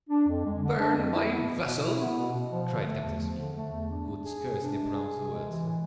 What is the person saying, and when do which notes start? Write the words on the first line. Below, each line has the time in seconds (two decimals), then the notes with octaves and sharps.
"Burn my vessel!" cried Captain Speedy, who could scarcely pronounce the words.
0.10 D4
0.28 F2
0.45 G#3
0.62 D3
0.79 D4
0.96 F2
1.13 E4
1.31 B3
1.49 B2
1.66 B2
1.84 E4
2.00 B3
2.17 B2
2.35 B2
2.52 F3
2.69 D3
2.87 A3
3.03 E2
3.21 F3
3.39 D3
3.56 A3
3.72 E2
3.91 D4
4.08 G#3
4.25 G#4
4.42 C3
4.59 D4
4.77 G#3
4.94 G#4
5.12 C3
5.28 G#3
5.45 E3
5.63 A2